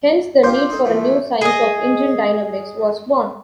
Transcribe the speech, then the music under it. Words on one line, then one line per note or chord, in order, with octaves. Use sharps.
Hence the need for a new science of engine dynamics was born.
D4 F4 G4 C6 G6
D#4 A4
E2 F3 A3
G#4 D#5